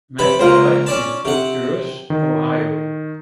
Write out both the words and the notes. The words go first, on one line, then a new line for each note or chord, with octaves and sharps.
Mack died in Bucyrus, Ohio.
C3 B4 B5
C#2 A#2 F4 C5 A#5
C#4 D5 A5
C3 F#5
D#3